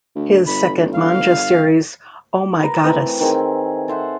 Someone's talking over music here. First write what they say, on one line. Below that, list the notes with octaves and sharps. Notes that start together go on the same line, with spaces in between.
His second manga series Oh My Goddess!
D2
G1 B5
F5
A#4 B4
E3 A3 C4
D#3 C4 G#4 E5
A4 C5 E5 F#5